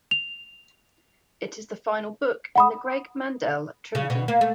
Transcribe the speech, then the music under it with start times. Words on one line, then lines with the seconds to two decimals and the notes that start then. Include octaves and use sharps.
It is the final book in the Greg Mandel trilogy.
0.11 F7
2.56 F#5 B5 D#6
3.95 C#3
4.10 B2
4.28 A#3
4.41 A3